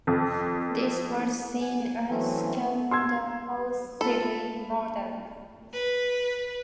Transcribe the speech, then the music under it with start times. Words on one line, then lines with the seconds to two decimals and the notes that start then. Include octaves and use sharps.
This was seen as scandalously modern.
0.07 F2
1.61 G#5
2.09 E3 F#3 A3 C4 C#4
2.91 C6 E6 G#6
4.01 A#3 F4 A4 B5
5.73 B4